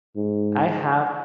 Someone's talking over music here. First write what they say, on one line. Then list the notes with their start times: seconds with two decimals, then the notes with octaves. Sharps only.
I have
0.16 G#2